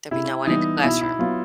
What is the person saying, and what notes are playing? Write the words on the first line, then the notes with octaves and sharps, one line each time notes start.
there'll be no one in the classroom.
C3 E4
E3 G3 B3 D#4
B2 E4
E4
F#3 B3 F4